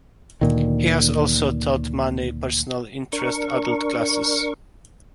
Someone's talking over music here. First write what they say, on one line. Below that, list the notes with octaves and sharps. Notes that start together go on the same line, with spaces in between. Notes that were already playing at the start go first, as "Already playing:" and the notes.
He has also taught many personal interest adult classes.
D2 A#2 D#3
D4 A#4 C#6